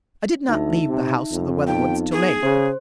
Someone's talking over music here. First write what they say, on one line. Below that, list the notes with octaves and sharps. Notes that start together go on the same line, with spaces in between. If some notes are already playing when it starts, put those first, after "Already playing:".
I did not leave the house of the Weatherwoods till late.
D2 D#4 E5
C3
F2
B3 D#4 G5
G#4
C#3 C5